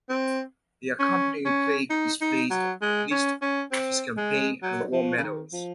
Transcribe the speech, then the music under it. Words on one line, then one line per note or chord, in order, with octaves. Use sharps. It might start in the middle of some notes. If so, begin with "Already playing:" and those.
The accompanying plaque displays a list of his campaign and war medals.
C4
C#4
C#4
D#4
D#4
F#3
G#3
C#4
C#4
C4
G#3
F#3
F3
C#3
D#3
F3